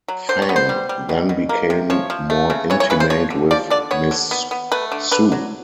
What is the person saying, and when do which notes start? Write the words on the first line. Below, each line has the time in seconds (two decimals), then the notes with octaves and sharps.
Fang then became more intimate with Miss Su.
0.08 F#3
0.29 D3 C5
0.42 C#5
0.49 B3
0.56 C5
0.69 G3
0.89 G3
1.09 B2
1.29 B2
1.49 A#3
1.70 C3
1.90 F3 C#5
2.10 F3
2.30 A3
2.50 C#3
2.70 E3 C#5
2.80 C#5
2.90 C#3 B4
3.00 C5
3.10 F3 C#5
3.30 D3
3.51 F3 D5
3.70 D3 D5
3.91 B3 C#5
4.11 D3
4.31 B3
4.51 B3
4.72 A3 B4
4.92 D3
5.11 D3 B4
5.32 F#3